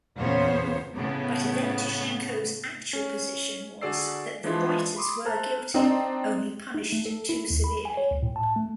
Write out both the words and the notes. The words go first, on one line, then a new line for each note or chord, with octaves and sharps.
But Yevtushenko's actual position was that the writers were guilty, only punished too severely.
E2 A#2 C#3 B3 C5 C#5
A2 C#3 A3 B3
C#4
D3 F#4 G#4 D5 E6 C7
E3 F3 G#3 D4 E4 F4
B5 C6 D6 D#6
A4 C5 A5 A#5 F6 F#6
C4 D4 D#4
D#4
A3
A4
E4
D#2
B5
G#5
C#5
C#2
A2
A5
A3